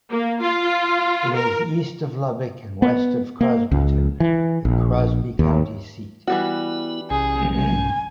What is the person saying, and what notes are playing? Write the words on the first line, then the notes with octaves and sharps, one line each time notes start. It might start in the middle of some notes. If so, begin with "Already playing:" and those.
It is east of Lubbock and west of Crosbyton, the Crosby County seat.
A#3
F4
A#4
B3
A#3
C#2
E3
A#1
D#2
E3 G3 B3 E4 F#4
B1 C3 C#4 G#4
G#5